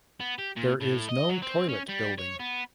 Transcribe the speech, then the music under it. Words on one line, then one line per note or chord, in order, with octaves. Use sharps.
There is no toilet building.
B3
G4
A#2
A2
D#5
F#3
C4
C#4
G3
C#5
B3